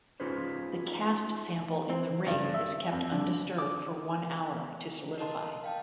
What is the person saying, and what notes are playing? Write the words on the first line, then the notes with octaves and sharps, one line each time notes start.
The cast sample in the ring is kept undisturbed for one hour to solidify.
C#4 D#4 F4 G#4 B4 C5
C4
G2
E5
F2
D3
D6
A#4 D#5 A5 C6
F5 G5 A5